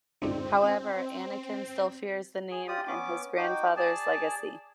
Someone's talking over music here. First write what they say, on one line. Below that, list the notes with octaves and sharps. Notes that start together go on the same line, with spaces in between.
However, Anakin still fears the name and his grandfather's legacy.
D2 G#2 C4 C#4 F4 D5
G#4
F4 G4 D5 D#6
B3 C#4 D6
D#4 F#4 G5 D6
G#4 D5 G#5 A5